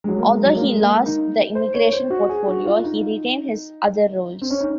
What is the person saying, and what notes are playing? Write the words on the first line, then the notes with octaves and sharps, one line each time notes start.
Although he lost the immigration portfolio, he retained his other roles.
G#3
F#3
A#3
G#3
F#3
A#3
G#3
A#3
D#4
C5
C#5
C5
F#4
G#4
F#4
F4
D#4
C4
C#4
D#4